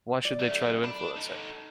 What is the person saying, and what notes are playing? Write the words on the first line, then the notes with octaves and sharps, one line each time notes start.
Why should they try to influence him?
D5
F#2 A3
D5 A5 B5
D#4 A4